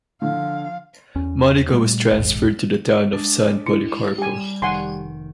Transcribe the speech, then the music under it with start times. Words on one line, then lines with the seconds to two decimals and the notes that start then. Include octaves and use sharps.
Monica was transferred to the town of San Policarpo.
0.22 D3 F3 F5
1.16 E2 C#4
1.72 A#2 G3 A3
2.11 E1 A#1 D#2 G#2
3.13 G#3 D4
3.66 E4
4.18 G3 G4 G#5
4.62 F1 D#3 F#5 G#5 C6